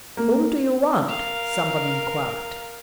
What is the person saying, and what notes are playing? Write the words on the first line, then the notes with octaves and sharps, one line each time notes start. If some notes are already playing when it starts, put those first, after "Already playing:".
"Whom do you want?" someone inquired.
A#3
A#4 F5